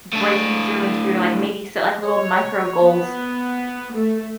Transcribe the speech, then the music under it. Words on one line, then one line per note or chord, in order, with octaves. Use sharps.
breaking through into your, like maybe set, like, little micro goals
A2 D4
C#5
B3
A3